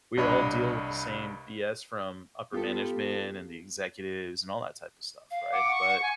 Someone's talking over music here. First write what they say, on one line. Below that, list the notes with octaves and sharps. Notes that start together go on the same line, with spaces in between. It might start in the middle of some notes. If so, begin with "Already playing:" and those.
we all deal with the same BS from upper management, and the executives, and all that type of stuff, right? But,
C2 G2 D4 C#5 D#5 B5
B3 F4 G4 A4
F5
F#5 D6
C#6
G#5